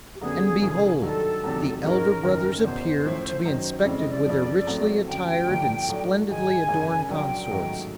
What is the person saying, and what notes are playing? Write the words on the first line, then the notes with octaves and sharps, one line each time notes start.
And behold! the elder brothers appeared, to be inspected with their richly attired and splendidly adorned consorts.
G4
F#2 D3 G3 B3 G#4
F1 D#2 C#3 F3 A3
G2 D#3 F#3 A4
E2 C3 D#3 F#3 A3
G#2 E3 G#3 C#4 A#4
F#1 F#2 D#3
C#5
F#1 E2 B2 C5
A2 F3 A3 C#4 E4
F#2 D#3 F#3
F2 C#3 E3 G#3 C4 D5
D#5
D5
F2 C#3 F3
A2 F#3 A3 C4
F#2 D3 F#3 A3 G5
G1 G2 D3 F3 A#3
A2 F#3 A3 D4
G#2 D#3 G#3 G#5
F#1 F#2 C#3
A#1 A#2 F#3 A#3 D4 G5
A1 G#2 D#3 F#3 A3